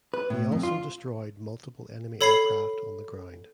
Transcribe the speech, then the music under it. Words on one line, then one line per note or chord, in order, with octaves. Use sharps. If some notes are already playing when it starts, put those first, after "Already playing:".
He also destroyed multiple enemy aircraft on the ground.
B4
A2
F2
F4
A4 C#5 B5 G#6 C7 F#7